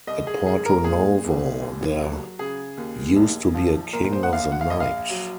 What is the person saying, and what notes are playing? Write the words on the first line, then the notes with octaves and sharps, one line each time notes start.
At Porto Novo there used to be a King of the Night.
C2 D#5
G#4
G#3 G#4
A#4
A#2 G#4
C2
D#2
F#3
C#3 G#4
D#2
A#1
F3
A#2 A#4
C5
F#5
A#1 F5
F#5
F5
A#1 D#5
F5
F#3